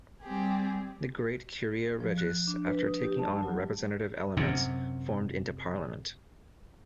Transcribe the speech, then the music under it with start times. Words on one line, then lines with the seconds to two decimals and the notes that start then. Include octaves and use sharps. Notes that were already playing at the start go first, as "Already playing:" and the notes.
The great "curia regis" after taking on representative elements formed into Parliament.
0.22 G3 C4 G4 G#4
2.00 F3
2.18 F#6
2.47 D4
2.66 B4
2.87 D#6
3.04 G4
3.19 A5
3.43 F#3
4.37 F#2 C3